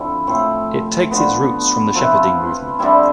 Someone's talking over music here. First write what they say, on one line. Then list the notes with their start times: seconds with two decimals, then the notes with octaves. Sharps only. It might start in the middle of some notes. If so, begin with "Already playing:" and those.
It takes its roots from the Shepherding movement.
Already playing: D3 F3 C4 E4
0.27 A2 F3 C4
1.11 D3 F3 B3
1.95 F3 C4 E4 B4
2.79 D3 G3 C4 E4